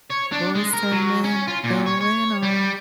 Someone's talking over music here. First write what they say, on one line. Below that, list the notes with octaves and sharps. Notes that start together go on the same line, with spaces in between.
Boyz II Men going on
C#5
D4
G#3
A#4
F#3
C#4
F4
A#2
C#5
C#5
G3